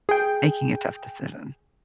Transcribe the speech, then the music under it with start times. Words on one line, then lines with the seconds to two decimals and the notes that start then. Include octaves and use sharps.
making a tough decision?
0.09 G#4 G5